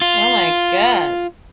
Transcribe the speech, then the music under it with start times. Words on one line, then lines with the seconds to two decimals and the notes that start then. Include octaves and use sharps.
Oh, my god.
0.02 F4